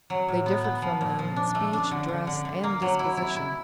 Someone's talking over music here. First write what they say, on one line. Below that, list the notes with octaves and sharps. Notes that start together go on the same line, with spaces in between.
They differed from them in speech, dress, and disposition.
F#3
A2
B3
B3
F3
A#2
F3
D4
A3
D4
D3
D3
D3
D3
A#3
F#3
E4
E4
E4